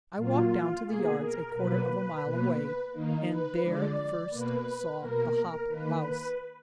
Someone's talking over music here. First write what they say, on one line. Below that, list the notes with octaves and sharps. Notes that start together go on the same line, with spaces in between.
I walked down to the yards, a quarter of a mile away, and there first saw the hop louse.
A#2 F#3 A#3 F4
B2 A#3 G#4
A#4
B2 F#3 A#3 B4
B2 A#3
D#3 A#3 D#4
B4
D3 F3 G#3 D5
B2 A#3 B4
B2 A#3 A#4
D#3 A#3 B4